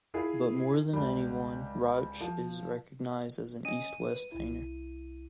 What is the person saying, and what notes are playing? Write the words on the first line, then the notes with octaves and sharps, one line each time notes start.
But more than anyone Rauch is recognized as an East-West painter.
E4 F4 G#4
C#2 G3
F3
C#4 D#5 G#5 D#7
B4
C2 E4